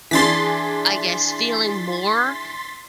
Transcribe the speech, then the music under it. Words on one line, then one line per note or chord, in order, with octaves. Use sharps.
I guess, feeling more
E3 D4 G#4 C6 A6 B6